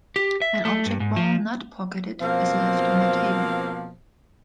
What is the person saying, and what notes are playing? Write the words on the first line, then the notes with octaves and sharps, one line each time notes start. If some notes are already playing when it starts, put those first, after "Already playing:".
An object ball not pocketed is left on the table.
G4
E5
A3
G2
G#2
F3
B2 F3 A#3 C4 C5 F5